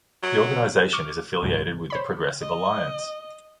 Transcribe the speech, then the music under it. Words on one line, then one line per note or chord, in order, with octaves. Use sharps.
The organisation is affiliated with the Progressive Alliance.
F#3
C#6 D6 F6
C#2 G#2
C5 C#5 B5
D#5